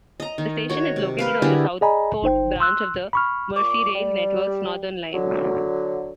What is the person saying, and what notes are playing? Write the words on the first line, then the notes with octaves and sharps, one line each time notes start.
The station is located on the Southport branch of the Merseyrail network's Northern Line.
D#5 A#5
D#3
F#4 C#5
C3
A#4 B4 F5
D3 E4 G4 G#4
G#4 D5 D#5 G#5 A#5 B5
G1 D#4 C5 G5
C6 E6 F#6
B5 C#6 F6
A#2 C#6 D6
G3
D3 F#3